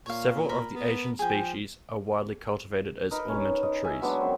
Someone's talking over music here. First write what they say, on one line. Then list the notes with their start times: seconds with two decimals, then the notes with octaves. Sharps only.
Several of the Asian species are widely cultivated as ornamental trees.
0.06 A#2 C#5 F5
0.49 A#4 B5
0.74 B3
1.19 F3 G#4 G5
3.11 D#4 A#4 B4 D#5
3.28 C#4
3.63 D#5
3.84 E5 G#5
4.01 F#3 G#3 B3 D4
4.20 F#2 D#3 C4